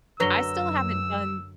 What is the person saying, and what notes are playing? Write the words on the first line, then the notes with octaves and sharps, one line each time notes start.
I still haven't done
F#2 D3 F#3 B4 E6 A#6 G7